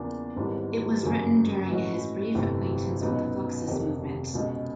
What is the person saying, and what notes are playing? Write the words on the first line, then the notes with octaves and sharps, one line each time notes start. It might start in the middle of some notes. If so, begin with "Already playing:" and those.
It was written during his brief acquaintance with the Fluxus movement.
Already playing: E2 C#3 F3 A#3 D4
G#1 G#2 E3 G3 B3
G1 F#2 C#3 F#3 A#3
A2 E3 G#3 C#4 F#4
G1 F2 C3 E3 A3
C#2 B2 F#3 B3 D#4
F1 F2 C3 D#3
C#2 B2 G#3